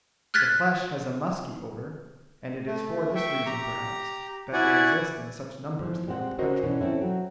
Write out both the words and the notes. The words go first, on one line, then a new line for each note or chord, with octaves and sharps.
The flesh has a musky odor, and it is for this reason, perhaps, that they exist in such numbers throughout the country.
F6 F#6 G#6 A6 B6
A3
E5 G5 C#6
G4 A#5
E4 F#4 D5 F#5 G#5
E3 F3
G3 G#3 C4 F#5
C#4 F#4 A#4 C5 D#5
B2 E3 C#4 D4
C4 C#4 E4 A4
F#3